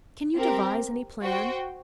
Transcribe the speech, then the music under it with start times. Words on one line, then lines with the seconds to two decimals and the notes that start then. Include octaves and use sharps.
Can you devise any plan?
0.36 C4 G4 A#4
1.22 F#4 C5 G5